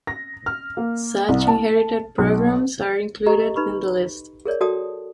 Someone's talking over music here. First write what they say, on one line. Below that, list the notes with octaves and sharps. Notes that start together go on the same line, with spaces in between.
Such inherited programmes are included in the list.
A#6
F6
A#3
C2
A5
B1
G4 A4 D#5 A#5 C#6
D#4 B4 B5 C#6
G#4 A#4 C#5 D5
F#4 A4 D5 G5 A5 D#6